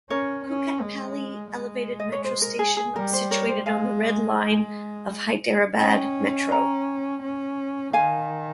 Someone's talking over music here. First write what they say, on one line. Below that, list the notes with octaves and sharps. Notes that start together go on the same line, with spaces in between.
Kukatpally elevated metro station situated on the Red Line of Hyderabad Metro.
C#4 A#4 C#5
C#4
G#3
G#3
D#5
C#5
C5
A#4
G#4
G#4
G3 A#4
C5
A#4 C#5
C5
G#3 F5 G#5
G#3
C#4 D#5 G5
G5 A#5
C#4
D#3 F5 G#5